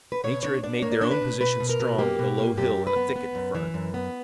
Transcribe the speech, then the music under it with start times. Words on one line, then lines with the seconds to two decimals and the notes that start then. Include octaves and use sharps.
Nature had made their own position strong with a low hill, and a thicket in front.
0.12 B4
0.24 B2 C#5
0.43 D4 C#5
0.63 D4 D5
0.82 A#3 C#5
0.92 D5
1.01 D4 C#5
1.11 B4
1.22 B2
1.41 B2 B4
1.60 B2
1.69 A#4
1.80 B2
1.98 A#3 G4
2.19 B2
2.38 A#3
2.57 F#2 G4
2.77 F#2
2.87 B4
2.96 B3
3.16 B3
3.35 F#2
3.55 E3
3.74 F#2
3.94 B3